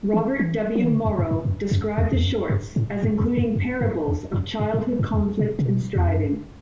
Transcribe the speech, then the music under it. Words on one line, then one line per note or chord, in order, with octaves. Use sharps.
Robert W. Morrow described the shorts as including parables of childhood conflict and striving.
E3
E3
F#3
E3
D3
E2
F#2
G2
F#2
F#2
E2
E2
F#2
G2
A2
G2
E2
F#2
F#2
G2
E2
F#2
G2
A2
G2
E2
B2
C3
B2
E2
F#2
G2